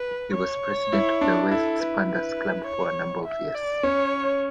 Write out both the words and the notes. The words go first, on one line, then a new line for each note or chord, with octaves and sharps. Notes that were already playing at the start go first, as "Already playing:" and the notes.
He was President of the Wests Panthers club for a number of years.
Already playing: B4
C#5
E4
D4
E4 A4
B4
B4
C#5
E5
D5
C#4 C#5